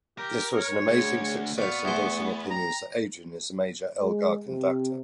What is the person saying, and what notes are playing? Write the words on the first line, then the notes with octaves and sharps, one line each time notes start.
This was an amazing success, endorsing opinions that Adrian is a major Elgar Conductor.
G4 A#4
C#5
D2 G#4
B3 F#4 D5 F5 C#6
E2 A3 E4 C5 F#5
G5 A#5
G#3
C3